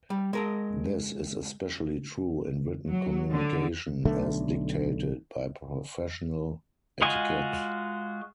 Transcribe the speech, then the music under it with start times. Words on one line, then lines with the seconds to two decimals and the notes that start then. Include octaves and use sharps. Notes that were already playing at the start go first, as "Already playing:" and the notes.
This is especially true in written communication, as dictated by professional etiquette.
0.10 G3
0.33 G#3 A#4 D#5
2.89 F#3
3.31 D3
4.05 B1 D3 A3
7.02 G#3 F4 F#4 D#5 G#5